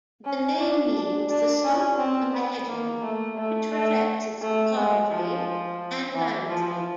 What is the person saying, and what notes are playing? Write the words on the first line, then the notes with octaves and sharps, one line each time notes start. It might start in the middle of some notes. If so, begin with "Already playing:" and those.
The name means 'the stump on the headland', which reflects its topography and landscape.
C#4
D4
D4
D4
C#4
C4
B3
A#3
A3
A3
A3
A3
G#3
F3
E3
F3